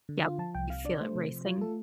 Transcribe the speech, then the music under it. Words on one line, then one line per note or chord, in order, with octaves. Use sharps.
Yep. You feel it racing?
D3
F4
F3 A5
C2 G5
C3 F5
D4 D5
A3 C5
C3
F3
F4
A3 A4